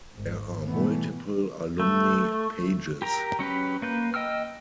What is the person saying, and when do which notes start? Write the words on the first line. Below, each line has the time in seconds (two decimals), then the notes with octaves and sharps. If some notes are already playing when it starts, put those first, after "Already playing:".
There are multiple alumni pages.
0.13 G#1 G#2
0.67 B2 E3 G3 A3 B3
1.80 A3
3.02 G4 A#4 A#5
3.39 F#3 C#4 G4 B4
3.82 A#3 B4 G6
4.14 D#5 G5 E6 F6